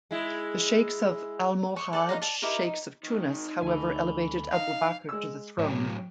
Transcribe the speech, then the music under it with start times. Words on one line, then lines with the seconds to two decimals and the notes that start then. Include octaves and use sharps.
The sheikhs of Almohad sheikhs of Tunis however elevated Abu Bakr to the throne.
0.11 G#3 E4
1.76 C#6
1.93 A4 D5 F#5
2.09 D#4 F4 F5 A#5
2.22 A5
2.42 D#4 E4 G4 A#4
2.63 D#4
3.03 G#2 D#3 D#4
3.62 D2 A4 G#5 B5
4.52 D#4 D#5 F5
5.09 G#3 E6
5.58 A2 F#3 C#5 G5